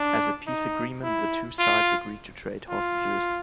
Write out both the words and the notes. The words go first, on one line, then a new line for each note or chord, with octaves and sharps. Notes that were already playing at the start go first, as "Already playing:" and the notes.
As a peace agreement, the two sides agreed to trade hostages.
Already playing: D4
D#4
E4
F4
F4